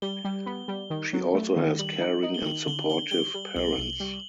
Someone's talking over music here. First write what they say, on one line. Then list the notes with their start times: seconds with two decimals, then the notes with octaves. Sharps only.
She also has caring and supportive parents.
0.02 G3 G7
0.25 G3
0.46 B3
0.68 G3
0.90 D#3
1.13 F#3
1.34 A3
1.56 D#3
1.79 G3 F#7
2.01 D#4
2.23 D#4 F#7
2.34 G7
2.45 D#3 F#7
2.67 D3 G7
2.90 D3 G7
3.11 G3 G7
3.34 G3
3.56 C2 F#7
3.78 C2
4.00 G3